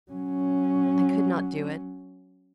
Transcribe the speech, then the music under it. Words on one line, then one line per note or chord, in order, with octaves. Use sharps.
I could not do it.
F#3 C#4